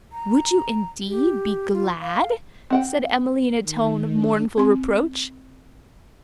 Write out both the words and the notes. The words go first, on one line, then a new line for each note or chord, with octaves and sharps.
'Would you, indeed, be glad?' said Emily, in a tone of mournful reproach.
A#5
G4
F4
F5
C4 F#5 G5
D#3
D4
C4 C6